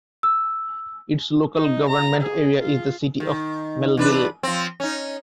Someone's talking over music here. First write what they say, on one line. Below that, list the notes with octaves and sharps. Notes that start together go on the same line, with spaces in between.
Its local government area is the City of Melville.
E6
D#4
A#5
G#4
F4
D#3
E2 D4 B4
F3 C4
C#4 D#4